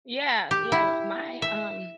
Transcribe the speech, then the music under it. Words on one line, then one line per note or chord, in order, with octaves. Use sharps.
Yeah, yeah, my, um
G4
E4
E5